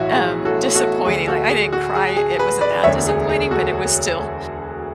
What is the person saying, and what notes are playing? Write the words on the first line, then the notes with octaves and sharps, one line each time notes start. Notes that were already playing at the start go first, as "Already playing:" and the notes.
um, disappointing, like, I didn't cry it wasn't that disappointing, but, it was still,
Already playing: B1 A2 E3 F#4 C#5 E5
G#4
F#4 A4
F#4 A4
D2 D3 G#4
F#4 A4
G#4
F#4
G#4
G#4
G#4 B4
B4 D5
E1 D2 D3 C#5 E5
G#4
G#4
F#4 A4